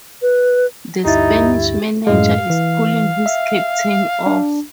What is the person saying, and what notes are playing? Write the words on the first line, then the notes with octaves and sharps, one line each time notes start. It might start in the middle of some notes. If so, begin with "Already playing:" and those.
The Spanish manager is pulling his captain off!
B4
D2 G2 D#4 E4 G4 A6
F#2 A2 G#3 F5
E3
E5
D4